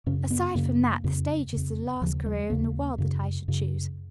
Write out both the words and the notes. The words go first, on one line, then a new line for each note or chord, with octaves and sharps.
Aside from that, the stage is the last career in the world that I should choose.
F#2 C#3 C#4
B3
F#2 C#3 A#3
F2 C#3
F2 C#3
D#2 C#3 F3
G#3
D#2 C#3 A#3
F#2 C#3
F#2 C#3